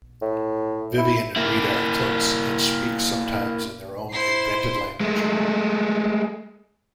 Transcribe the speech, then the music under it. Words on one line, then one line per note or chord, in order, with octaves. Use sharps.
Vivian and Rita are close and speak sometimes in their own invented language.
A2
E4
A#3 E4
E4 C5 C7
C6
G#3 A3